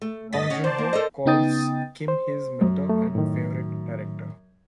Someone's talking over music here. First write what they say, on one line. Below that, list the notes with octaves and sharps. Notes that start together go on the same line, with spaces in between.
Bong Joon-ho calls Kim his mentor and favorite director.
A3
G2 D#5 A6 B6
C#4 F#5
D#3 C5 D5 A5
A#3
A4 A#4 D#5
C#3 B3 D#4 G5 D#6 A6
C5
F#2
A3
A2 D#3